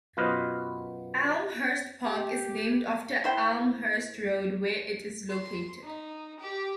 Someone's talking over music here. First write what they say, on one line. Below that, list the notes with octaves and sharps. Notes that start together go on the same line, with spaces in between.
Elmhurst Park is named after Elmhurst Road, where it is located.
F#2 B2 F4 B4 C5 D#5
G4
E4 C5 G5
C6
D#4
G4